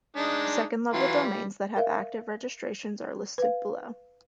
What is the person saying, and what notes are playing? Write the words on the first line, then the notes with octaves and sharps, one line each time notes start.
Second-level domains that have active registrations are listed below.
G#3 D4 D#4
E3 F#3 F4
G3
A#4 E5 F5
B4 F5